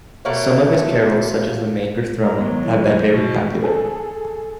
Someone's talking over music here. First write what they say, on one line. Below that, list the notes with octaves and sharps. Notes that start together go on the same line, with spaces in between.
Some of his carols, such as "The Manger Throne", have been very popular.
B2 A3 A#3 C#5
G#3 A#4
D#3 F#3 G#3 B3
E4
B2 A3
G#4 A4